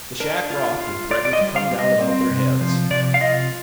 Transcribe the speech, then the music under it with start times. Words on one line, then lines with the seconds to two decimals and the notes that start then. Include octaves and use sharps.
The shack rocked, and threatened to come down about their heads.
0.20 D4 A#4
0.50 F4
0.81 F4
1.11 F4 D5
1.25 D5
1.33 D#5
1.41 G3
1.56 F5
1.71 G3
1.79 D#5
2.01 C4
2.31 C3
2.61 F3
2.91 C3 D5
3.14 F5
3.21 F4 D#5